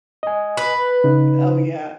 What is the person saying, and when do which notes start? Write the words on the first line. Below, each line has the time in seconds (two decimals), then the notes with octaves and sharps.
Oh, yeah.
0.23 D#5 G#5
0.57 B4
1.04 C#3 D#4